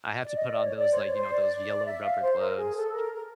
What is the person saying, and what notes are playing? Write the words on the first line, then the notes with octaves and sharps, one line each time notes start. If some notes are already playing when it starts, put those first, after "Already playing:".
I have to put on those like, you know, those yellow rubber gloves
D5
D#5
D5
C#5
D5
C5
C#5
C#5
C5
C#5
D5
E5
F5
C5
A#4
G#4
A4
A#4
A#4